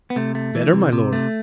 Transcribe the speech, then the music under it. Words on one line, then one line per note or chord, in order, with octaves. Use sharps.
"Better, my lord."
B3
C3 A3
A3
E3
C3
C3
A3